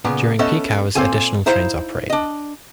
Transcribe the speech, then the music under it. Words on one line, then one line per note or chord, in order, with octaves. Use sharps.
During peak hours additional trains operate.
A#2 C#3 B3
A3 B3 C#4 A4 D#5 E5
A#2 C4 A4 F5 G#5
D#4 E4 C5 F5 A#5
D4 D#5